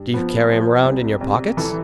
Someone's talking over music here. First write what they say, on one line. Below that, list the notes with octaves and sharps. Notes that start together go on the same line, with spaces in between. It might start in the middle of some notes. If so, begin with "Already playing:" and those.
"Do you carry 'em round in your pockets?"
Already playing: G2
F3 B3
F3
C2
C2
E3 A4